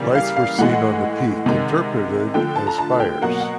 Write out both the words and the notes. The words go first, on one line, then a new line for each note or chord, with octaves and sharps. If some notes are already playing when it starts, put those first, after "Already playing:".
Lights were seen on the peak interpreted as fires.
Already playing: C#3 E3 G3 A#3
F5
F5
A2 E3 G#3 F#5
C3 D#3 G#3
D3 F3 A3 G5
A5
A#5
A5
G5
B2 F#3 A#3 F#5
F#5